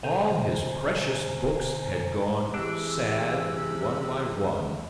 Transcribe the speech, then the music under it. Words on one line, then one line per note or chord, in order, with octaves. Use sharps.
All his precious books had gone, sad one by one.
B2 D3 C5 G#5 A#5
C3 E3 D4 G#4 E6